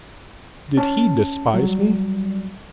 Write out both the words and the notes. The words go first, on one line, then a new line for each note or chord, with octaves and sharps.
Did he despise me?
C#4 A5
F#3 G3